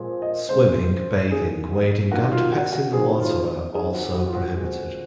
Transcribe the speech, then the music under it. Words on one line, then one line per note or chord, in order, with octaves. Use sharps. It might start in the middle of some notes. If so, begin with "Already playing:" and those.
Swimming, bathing, wading and pets in the water are also prohibited.
Already playing: A#2 F3 G#3 C4
D#5
C#3 G#3 C4 C5
D#3 A#3 G#4
D#3 F#3 A#3 F#4
F4
F#4
F#4
D#3 F#3 C4 G#4
F4
D#3 F#3 C4 G#4
F#4
F#4
F4
F#4
A#2 G#3 C4